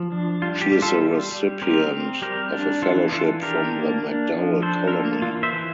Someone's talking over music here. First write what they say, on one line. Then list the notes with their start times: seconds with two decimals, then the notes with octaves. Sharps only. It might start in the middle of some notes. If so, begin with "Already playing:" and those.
She is the recipient of a fellowship from the MacDowell Colony.
Already playing: F3
0.12 D4
0.42 G3 F4
0.62 G4
0.72 G3
0.82 F4 A4
1.02 G3
1.32 G3
1.62 C4 G4 A#4
1.92 C4
2.22 G3 G4 A#4
2.52 D4
2.82 E3 F4 A4
3.12 E3 F4 A4
3.42 D4 G4 A#4
3.72 A#3
4.02 D4
4.33 F3
4.62 D4 A4 C5
4.88 A#4
4.92 A#3 F4 A4
5.22 E3 F4
5.43 C5 E5
5.53 E3